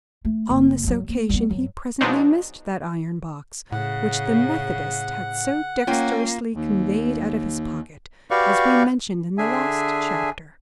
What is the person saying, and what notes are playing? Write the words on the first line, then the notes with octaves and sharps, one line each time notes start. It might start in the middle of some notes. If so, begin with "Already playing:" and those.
On this occasion he presently missed that iron box which the methodist had so dexterously conveyed out of his pocket, as we mentioned in the last chapter.
A3
F#1
G2 F#3
A#3
G3 B3
G2 F#3
B2 F3 F#3 G#3 D4 D#4
A2 C#3 F#5
A#3 C#4 F4 G5
D#2
F#4 G4 B4 D5 F5 C#6
D3 D4 G#4 E5 G#5